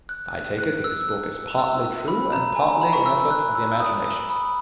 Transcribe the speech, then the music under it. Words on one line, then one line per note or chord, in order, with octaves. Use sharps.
I take it that this book is partly true, and partly an effort of the imagination.
F#6
F#6
F#6
E6
E6
B5
A#5
G#5
A#5
B5
C#6
E6
F#6
E6
D#6
D#6
B5